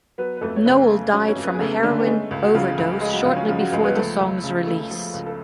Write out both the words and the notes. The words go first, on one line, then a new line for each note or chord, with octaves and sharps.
Nowell died from a heroin overdose shortly before the song's release.
F#3 B3 B4
B4
F2 A3 A4
C#5
C#3 B3 B4
A3
F#3 C#4 C#5
C#4 C#5
F2
B3 B4
G#4
C#3 A3 A4
D3 A3 D4
B3
G#3 C#4
C#2
F#4
C#3 F3 F4
C#2
G#3 G#4
F#3 F#4
C#2 F3 F4
C#4
C#3 F3 F4
F#3 F#4
C#2 G#3 G#4
B3 B4
F3 A3 A4
C#2 A3 A4
C#3
A3
F3
C#2
A4